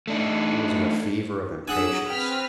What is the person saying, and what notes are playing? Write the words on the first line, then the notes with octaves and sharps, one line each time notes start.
He was in a fever of impatience.
A3 D4 D#4
F#3 D4 G#4 F#5 G#5 E6
C4 B4 G5 F6 B6